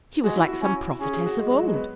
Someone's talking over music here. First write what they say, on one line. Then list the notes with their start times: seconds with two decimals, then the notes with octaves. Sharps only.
She was like some prophetess of old.
0.24 G#3 F#4
0.36 E4
0.48 F#4
0.62 C#4
1.00 C#4 G#4
1.13 G#4
1.26 F#4
1.38 G#3
1.51 F#3
1.63 G#3
1.73 B3